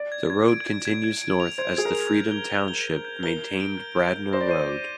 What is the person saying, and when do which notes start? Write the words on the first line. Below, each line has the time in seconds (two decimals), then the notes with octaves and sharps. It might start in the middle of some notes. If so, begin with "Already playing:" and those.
The road continues north as the Freedom Township-maintained Bradner Road.
Already playing: D5
0.12 G#6
0.30 G#6
0.48 D7
0.67 G#6
0.85 G#6
1.04 G#6
1.22 D7
1.40 F7
1.58 C5 G#6
1.77 G#4 G#6
1.85 A#4
1.95 F7
2.13 G6
2.31 G7
2.50 G7
2.68 G7
2.86 G7
3.05 G6
3.23 A#4 G7
3.42 G7
3.60 D7
3.78 G6
3.96 G6
4.14 D7
4.33 C5 A#6
4.41 D5
4.49 C5 D#7
4.69 D6